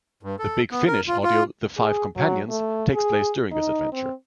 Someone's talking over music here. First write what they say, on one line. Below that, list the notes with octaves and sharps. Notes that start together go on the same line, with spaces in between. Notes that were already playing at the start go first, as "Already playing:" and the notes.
The Big Finish audio "The Five Companions" takes place during this adventure.
G2
A4
B3
A#4
F4
F4
G#4
F#3
A3
G#4
D#4
C4